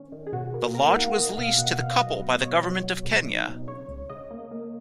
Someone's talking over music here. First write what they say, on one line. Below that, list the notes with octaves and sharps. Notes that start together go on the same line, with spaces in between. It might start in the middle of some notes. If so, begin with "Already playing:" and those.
The lodge was leased to the couple by the government of Kenya.
Already playing: D#3 C#4
D#3
G#4
B2 F#4
A#3
B2 A#4
F5
D#4 F#5
A#3 D#5
B2 F5
B2 F#5
B2 F5
F#3 D#5
B3
B2 C#5
F#3
F#3
B2
D#4
B2
C#3 C#5
C#2
C#3 D#5
A#3
A#3